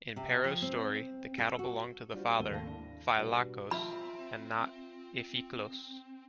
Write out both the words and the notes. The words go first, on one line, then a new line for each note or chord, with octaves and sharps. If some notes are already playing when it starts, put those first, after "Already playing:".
In Pero's story, the cattle belong to the father Phylakos and not Iphiklos.
C3
F3
C4
A4
F#4
G3 D4 F4 F#4 C5
D#2 G#2 C4 A4 D#7 G7
D#2 A#3 F5 A5 A#6
D4 E4
B2 G3 B3 D4 F#4
C4 F4 E5 B5